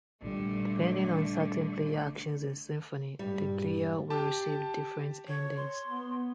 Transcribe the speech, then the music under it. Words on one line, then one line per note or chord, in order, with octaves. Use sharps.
Depending on certain player actions in Symphony, the player will receive different endings.
A1 A#2 D3 G3 A3
G2 A#2 G3
G4 A5
C#5
C6
B3